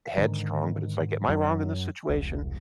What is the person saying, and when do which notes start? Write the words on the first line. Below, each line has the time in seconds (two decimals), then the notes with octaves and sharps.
headstrong, but it's like, am I wrong in this situation?
0.18 G#2 D3 D#3
1.28 F#2 F#3
2.09 E1 C2